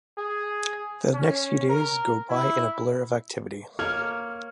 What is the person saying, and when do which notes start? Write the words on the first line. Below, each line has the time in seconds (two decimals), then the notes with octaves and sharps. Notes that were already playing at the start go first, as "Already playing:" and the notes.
The next few days go by in a blur of activity.
0.18 G#4
1.14 C#4
1.69 A#4
2.30 E4
3.79 A#3 C#5 F6